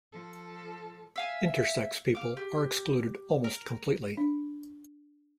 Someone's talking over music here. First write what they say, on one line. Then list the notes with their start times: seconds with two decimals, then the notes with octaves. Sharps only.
Intersex people are excluded almost completely.
0.12 F3 A4
1.16 E5 F5 G#5
2.15 F5 D6
2.37 G4
3.44 A#4
4.17 D4